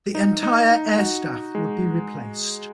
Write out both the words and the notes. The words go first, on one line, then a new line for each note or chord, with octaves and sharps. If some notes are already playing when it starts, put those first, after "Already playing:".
The entire air staff would be replaced.
D#4
D#4
D#4
F#4
G#3